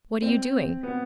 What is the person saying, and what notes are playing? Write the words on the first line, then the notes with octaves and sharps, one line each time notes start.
'What are you doing?'
C4
B3